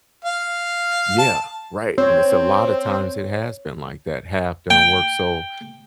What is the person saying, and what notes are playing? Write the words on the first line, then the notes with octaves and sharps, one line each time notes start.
Yeah. Right, and it's a lot of times it has been like that, half-done work, so
F5
A5
C4 C#5
G5